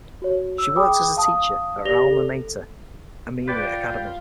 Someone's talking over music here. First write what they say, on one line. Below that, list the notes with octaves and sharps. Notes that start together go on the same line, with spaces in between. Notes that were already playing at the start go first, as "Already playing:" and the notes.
She worked as a teacher at her alma mater, Amenia Academy.
F#4 C#5
E6
G#4 G5 B5 D6 D#6
F5 A5 D#6
G4 D5 A#6 F7 G7
A4
F4 B4 D5 G5 G6